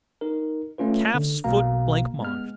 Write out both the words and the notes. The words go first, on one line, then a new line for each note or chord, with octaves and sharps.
Calf's Foot Blancmange.
D#4 A#4
A3 C#4 F4 B4
D3
B1 B2 A#3 F5 A#5
G#3 B3 F6